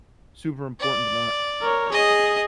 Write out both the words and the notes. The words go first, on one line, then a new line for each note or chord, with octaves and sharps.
super important to not
D5
A#4 C#5
G#4 D#5